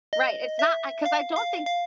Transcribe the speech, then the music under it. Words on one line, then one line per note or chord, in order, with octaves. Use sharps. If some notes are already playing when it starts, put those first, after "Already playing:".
Right, it's not I 'cause I don't think
D#5
E5
F5
F5
F5